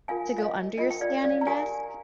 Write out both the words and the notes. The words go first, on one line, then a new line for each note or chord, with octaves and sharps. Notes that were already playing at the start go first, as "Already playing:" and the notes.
to go under your standing desk?
D4 F4 A#4 F5 G#5
F5
D#5
D4 F4 A#4 D#5
G5
D5 F5
D5 F5
A#5
D4 G4 A#4 F5 G#5